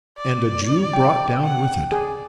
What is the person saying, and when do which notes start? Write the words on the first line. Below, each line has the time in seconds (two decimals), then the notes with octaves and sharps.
'And a Jew brought down with it!
0.17 D5
0.93 G5
1.42 F#5
1.92 G#4 D5